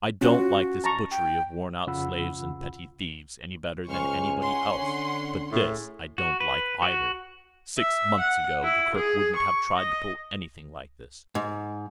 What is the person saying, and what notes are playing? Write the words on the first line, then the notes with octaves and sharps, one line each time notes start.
I don't like this butchery of worn-out slaves and petty thieves any better than anybody else, but this I don't like either. Six months ago, Gurgurk wouldn't have tried to pull anything like this.
C#4 F4 F#4
A5 A#5 C#6
G5
F2 C#3 F4 F#5 B5 E6
C#2 C5 G#5 C#6 F6
C#4 F#5 C6
D3
A2 G#4
F#4
B4
F#4
E5
F#5
E4
G#4
C#6
D#5
G#2